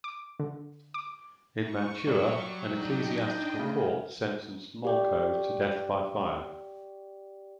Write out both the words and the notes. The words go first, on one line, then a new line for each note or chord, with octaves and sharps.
In Mantua an ecclesiastical court sentenced Molcho to death by fire.
D6
D3
D6
C#6
F#3 G3
D4 D#4 D#5 G5
C#3 A3
G4 D5 G5